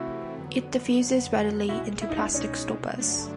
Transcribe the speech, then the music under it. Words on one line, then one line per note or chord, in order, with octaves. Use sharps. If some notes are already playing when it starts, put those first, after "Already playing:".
It diffuses readily into plastic stoppers.
Already playing: C3 E3 A3 C4 E4 F#4
F2 D3 F#3 B3
C2 B2 G#3 E4 F#4
E4
D#4
D4 E4
C#4 D#4
G2 D3 F#3 A3 D4